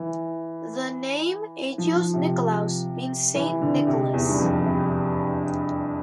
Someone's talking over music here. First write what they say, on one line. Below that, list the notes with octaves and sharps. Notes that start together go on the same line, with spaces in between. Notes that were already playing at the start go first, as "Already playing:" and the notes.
The name Agios Nikolaos means "Saint Nicholas".
Already playing: E3
F3
F3
C3
E3
D3
C3
E2
G2
F2
C3